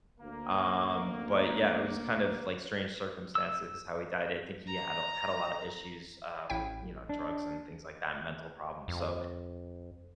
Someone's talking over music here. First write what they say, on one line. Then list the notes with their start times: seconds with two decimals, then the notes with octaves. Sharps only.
um, but yeah, it was kind of, like, strange circumstances how he died, I think he had a had a lotta issues, uh, with, you know, drugs and things like that, mental problems, so,
0.20 D2 A#3
3.35 E6
4.67 A#5
6.50 A1 E4 G5
7.09 D4
8.88 F2